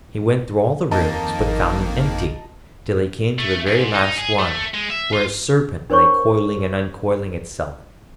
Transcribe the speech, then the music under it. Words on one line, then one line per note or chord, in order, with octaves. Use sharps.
He went through all the rooms, but found them empty, till he came to the very last one, where a Serpent lay coiling and uncoiling itself.
F2 D#3 A#3 D#5 A5 A#5
G#1
A3
G#2
D#4
G#4
A3
G#3
E5
F4
D4 A#4 C5 C#5 C#6